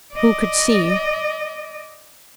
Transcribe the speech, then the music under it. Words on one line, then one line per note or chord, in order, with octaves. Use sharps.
Who could see?
D5 D#5